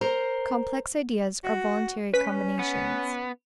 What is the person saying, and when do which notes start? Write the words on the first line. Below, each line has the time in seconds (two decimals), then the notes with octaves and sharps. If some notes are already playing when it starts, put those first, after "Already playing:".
Complex Ideas are voluntary Combinations.
0.01 A#4 C5 A#5
1.44 F#4
2.14 C#4 B4 B6
2.59 B3